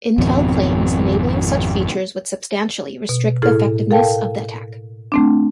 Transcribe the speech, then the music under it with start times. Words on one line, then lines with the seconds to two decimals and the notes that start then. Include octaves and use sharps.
Intel claims enabling such features would substantially restrict the effectiveness of the attack.
0.18 G#1 F2 B2 C4
3.09 B2
3.42 A2 E4 G#4 A4 F6
3.91 A4 A#4 F5 G5 A5
5.12 A3 C4 D4